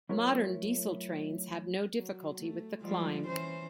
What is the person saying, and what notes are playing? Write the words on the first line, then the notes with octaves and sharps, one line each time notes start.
Modern diesel trains have no difficulty with the climb.
F#3 A3 E4 F4 A#4 C#5
F#3
A3
F3 G3 G#3
E3 C#4 C5